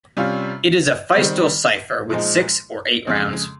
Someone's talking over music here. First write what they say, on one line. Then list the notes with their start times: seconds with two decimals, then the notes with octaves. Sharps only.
It is a Feistel cipher with six or eight rounds.
0.17 C3 G3 C#4 F4
1.14 D#3 G3 C4
2.10 A#2 F3 G#3 D#4
3.07 F2 C#3 G#3